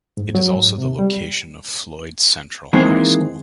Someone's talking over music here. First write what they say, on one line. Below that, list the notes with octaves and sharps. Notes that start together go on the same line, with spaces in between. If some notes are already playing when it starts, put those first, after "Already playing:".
It is also the location of Floyd Central High School.
G#2
F#3
G#2
C3
G3
D#3 E3 G#3 A#3 C4 G#4